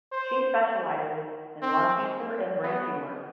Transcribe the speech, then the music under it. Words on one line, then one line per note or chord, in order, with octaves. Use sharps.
She specializes in lung cancer and brain tumors.
C5
C4
B3